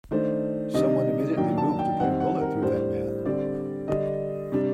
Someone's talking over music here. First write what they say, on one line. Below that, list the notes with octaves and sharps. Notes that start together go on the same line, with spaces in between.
Someone immediately moved to put a bullet through that man.
D#3 A3 D4 C5
C3 D#3 G3 D4 D#5
D#3 F#3 A#3 D4 G5
A5
G5
D#3 G3 C4 F#5
F#5
A#4
A2 G3 D4 C5
D3 G3 C4 D5
D3 G3 D4 D#5
C3 G3 D4